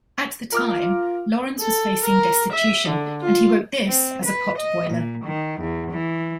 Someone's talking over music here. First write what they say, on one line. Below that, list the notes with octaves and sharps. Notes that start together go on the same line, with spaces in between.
At the time Lawrence was facing destitution and he wrote this as a potboiler.
F4 A#4 D6 F6
A4
A#4
E5
D3
F4
C4
B4
D#5
A#2
D#3
E2
E3